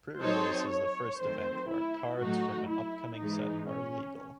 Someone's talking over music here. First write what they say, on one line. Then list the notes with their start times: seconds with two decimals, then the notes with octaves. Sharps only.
Prerelease is the first event where cards from an upcoming set are legal.
0.19 F#3 C4 D#4 A4 C5 C#5
0.70 C#5
1.19 D#3 F#3 A3 C4 C5
1.69 E4
2.19 A2 F#3 A3 D#4 F#4
2.69 E4
3.18 G#2 E3 G#3 D#4
3.68 C#4